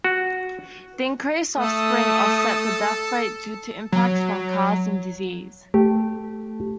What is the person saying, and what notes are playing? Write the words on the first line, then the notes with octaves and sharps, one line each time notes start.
The increased offspring offset the death rate due to impacts from cars and disease.
F#4
A3 A4 D#6
F#3
A3 G4